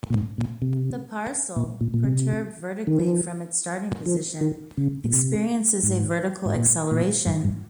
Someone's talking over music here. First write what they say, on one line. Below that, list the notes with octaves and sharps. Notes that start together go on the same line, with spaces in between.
The parcel, perturbed vertically from its starting position, experiences a vertical acceleration.
A#2
G#2
A#2
C3
A#2
A#2
A#2
C3
D#3
F3
F3
D#3
C#3
A#2
C3
G#2
G#2
A#2
A#2
G2
G2